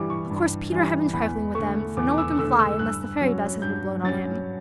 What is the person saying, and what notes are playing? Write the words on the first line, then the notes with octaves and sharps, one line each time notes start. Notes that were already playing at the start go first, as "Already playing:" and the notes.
Of course Peter had been trifling with them, for no one can fly unless the fairy dust has been blown on him.
Already playing: G2 E3 G3 D6
C#6
G2
E3 G3
E2 B5
D3 A3 C#6
E2 D6
D6
E6
D3 A3 E6
E6
G2 F#6
F#3 C#4
G2 G6
F#3 C#4 A6